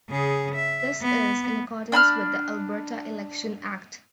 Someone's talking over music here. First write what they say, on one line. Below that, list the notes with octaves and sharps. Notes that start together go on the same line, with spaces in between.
This is in accordance with the Alberta Election Act.
C#3 G#4
E5
B3
D4 B5 E6 F6